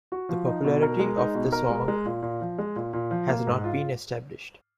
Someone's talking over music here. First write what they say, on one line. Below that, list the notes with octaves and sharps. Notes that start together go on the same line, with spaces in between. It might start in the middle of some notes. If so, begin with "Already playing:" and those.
The popularity of the song has not been established.
F#4
F3
D#4
B2
A#4
G#3
D#4
B2
A#4
G#3
G#3
A#2
A#2
F3
G#3
A#2
A#2
F3
A#3
G#2
F4